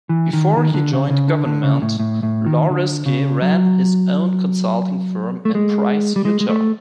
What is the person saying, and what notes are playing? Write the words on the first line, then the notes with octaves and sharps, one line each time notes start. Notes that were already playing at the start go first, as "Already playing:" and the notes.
Before he joined government, Lauriski ran his own consulting firm in Price, Utah.
E3
D#3
D#3
D3
C#3
C#3
D3
D3
C#3
A2
A2
A2
D#3
D3
C#3
F#3
A3
G#3
G3
G#3
G#3
A3